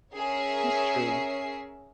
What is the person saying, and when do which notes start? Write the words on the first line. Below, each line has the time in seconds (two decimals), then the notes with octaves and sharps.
That's true.
0.17 C#4 G#4 A#4 C#5 E5 C7